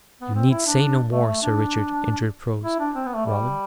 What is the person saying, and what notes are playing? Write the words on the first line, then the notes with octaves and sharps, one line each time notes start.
"You need say no more, Sir Richard," interposed Robin.
B3
C4
E4
D4
A3
A3
D4
E4
D4
C4
B3
A3
G3